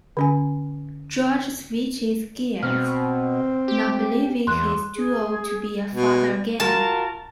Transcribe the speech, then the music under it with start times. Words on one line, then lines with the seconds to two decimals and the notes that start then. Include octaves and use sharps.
George switches gears; now believing he is too old to be a father again.
0.17 D3 C#4 G#5
2.63 B2 C4 F6
3.68 G4
4.47 E2 C6 F#6
4.95 G#4
5.94 B2
6.60 F4 F#4 A#4 A5